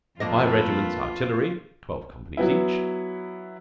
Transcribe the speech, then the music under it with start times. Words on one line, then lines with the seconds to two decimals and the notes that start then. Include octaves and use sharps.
Five regiments artillery, twelve companies each.
0.20 F2 A3 A#3 D4 F4 B4 D#5
2.37 F#3 B3 E4